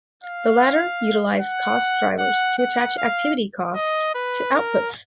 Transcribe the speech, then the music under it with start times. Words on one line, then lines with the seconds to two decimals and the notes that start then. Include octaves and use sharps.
The latter utilize cost drivers to attach activity costs to outputs.
0.24 F5
1.40 F#5
2.19 F#5
2.58 F#5
2.98 F5
3.75 D#5
4.15 B4
4.54 A#4